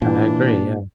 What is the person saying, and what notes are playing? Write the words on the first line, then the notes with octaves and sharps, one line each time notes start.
Yeah, I agree, yeah.
A#2 E3 D4